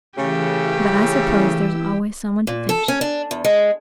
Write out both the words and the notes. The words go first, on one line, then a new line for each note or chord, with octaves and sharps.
"But I suppose there's always some one to finish it."
C#3 E3 A3 C#4 E4 G4 E6
A#2
A4
C#4
D4
E2
G#3